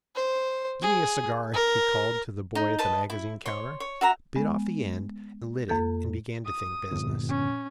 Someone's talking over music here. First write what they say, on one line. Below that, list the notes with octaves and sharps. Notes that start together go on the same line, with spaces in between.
'Gimme a cigar,' he called to the boy at the magazine counter; bit off the end, lit it, and began to think business.
C5
G#4
A#4
D#4
B4 D#5 A5
E4
C#5 C6
C#5
F#4 E5 A#5
G#3 B3
F2 A#3 A4 G6
D#6
G1 F2 A#2
C#4